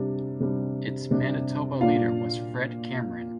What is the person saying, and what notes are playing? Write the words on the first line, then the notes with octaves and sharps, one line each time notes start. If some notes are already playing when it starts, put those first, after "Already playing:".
Its Manitoba leader was Fred Cameron.
Already playing: C3 G3 D4
C3 G3 D4
C3 G3 D4
A#2 A#3 D4 F4 F5